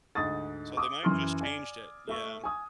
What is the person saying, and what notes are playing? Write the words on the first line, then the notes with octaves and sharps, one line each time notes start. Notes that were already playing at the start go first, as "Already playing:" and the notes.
so they might've just changed it. Yeah.
D2 G#2 D#6 A6
D6 D#6
F#2 E3 C6 F6
D5 G#5
A3 E5 C#6
G#5 D#6